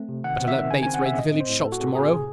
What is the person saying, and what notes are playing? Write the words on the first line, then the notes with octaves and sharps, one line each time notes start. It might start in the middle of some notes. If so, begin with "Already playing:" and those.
Better let Bates raid the village shops to-morrow.
Already playing: A3 C4
C3
D#3 F#5
C4
E5
D#3
C#3 G#5
C4 G#5
F#5
C#3 E5
A2 D#5
C4
C5
A2
A2 A4
F#4
C4 G#4
A2 G#4
C3